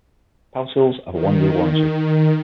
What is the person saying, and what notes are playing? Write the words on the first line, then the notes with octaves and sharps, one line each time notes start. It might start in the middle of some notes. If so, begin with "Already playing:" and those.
Power tools have a one-year warranty.
D#3